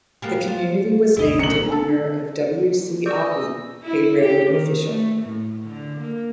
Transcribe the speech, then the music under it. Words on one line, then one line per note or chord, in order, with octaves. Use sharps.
The community was named in honor of W. C. Albee, a railroad official.
G3 A#3 B3
F4
A1 E2 C3 E4 D#5
A1 A2 D#3 F#3 C#7 F#7
A4
D5 D#5 C#6 E6 G6
E4
G4
D#3
A3
A2
D3
A#3